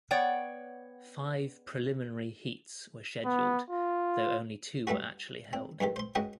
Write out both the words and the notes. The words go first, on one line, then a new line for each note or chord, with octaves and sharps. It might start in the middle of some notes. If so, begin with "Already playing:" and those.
Five preliminary heats were scheduled, though only two were actually held.
B3 C#5 D5 F#5 G5
B3
F4
G3 A3 B3 F#4
C4
B1 E2 D#3 G4
C5 C6
C#2 G#2 F#4 D#5 G5